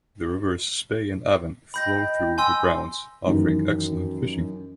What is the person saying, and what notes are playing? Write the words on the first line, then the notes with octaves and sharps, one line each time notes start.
The rivers Spey and Avon flow through the grounds, offering excellent fishing.
D#5 G5 B5 G6 A#6
G#5 C6 E6
F#2 D#3 E3